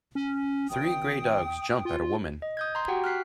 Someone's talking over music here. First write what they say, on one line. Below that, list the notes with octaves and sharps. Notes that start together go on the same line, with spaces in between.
Three gray dogs jump at a woman.
C#4
G#1 G5 D#6
F4
D#5
D#6 G6 G#6
A#5 C6
F#4 G4 F#5 G5
F6 F#6 B6 C7